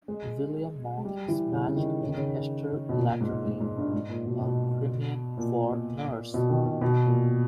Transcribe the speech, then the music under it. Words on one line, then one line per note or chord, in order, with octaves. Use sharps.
William Monk is matched with Hester Latterly, a Crimean War nurse.
G#3
G#3
G3
E3
C#3
C#3
D#3
C#3
D#3
C#3
B2
A#2
G#2
G#2
G#2
G2
G#2
A#2
B2
B2
A#2
B2
D#3
B2
B2
A#2